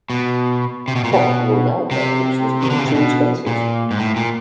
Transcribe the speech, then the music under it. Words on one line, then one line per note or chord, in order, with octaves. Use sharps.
Fox ruled out Mel Gibson as being too expensive.
B2
C3
B2
A#2
B2
C3
D#3
D3
C#3
C3
B2
A#2
G#2
A2
A#2